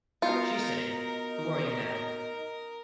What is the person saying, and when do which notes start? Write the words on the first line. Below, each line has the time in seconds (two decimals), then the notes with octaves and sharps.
She sang Who Are You Now?
0.22 B3 D#4 F4 F#4 A#4 C#7